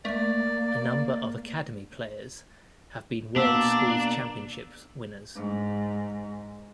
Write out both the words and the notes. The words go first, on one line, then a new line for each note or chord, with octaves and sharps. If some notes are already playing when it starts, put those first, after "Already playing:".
A number of Academy players have been world schools' championships winners.
A3 A#3 D5
B2 A#3 D4 E6 B6
G#2